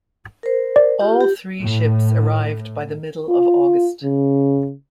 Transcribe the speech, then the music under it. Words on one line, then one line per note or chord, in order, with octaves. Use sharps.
All three ships arrived by the middle of August.
A#4 C5
D5
F4 G4
G4
A2
F4
C#3